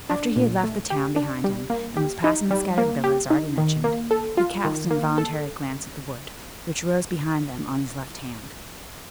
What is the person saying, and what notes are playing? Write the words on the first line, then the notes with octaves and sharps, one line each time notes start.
After he had left the town behind him, and was passing the scattered villas already mentioned, he cast an involuntary glance at the wood, which rose behind them on his left hand.
D4
A#2
A3
G4
D4
G3
A#3
G4
D#4
G3
A#3
G4
D#4
D#3
A#3
A4
F4
D#3
A#3
A4